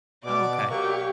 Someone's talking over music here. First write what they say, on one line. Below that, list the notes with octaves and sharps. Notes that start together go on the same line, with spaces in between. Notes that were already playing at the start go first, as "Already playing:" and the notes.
Oh, okay.
B2 D5 D6
F#3 A#3 G4 C#6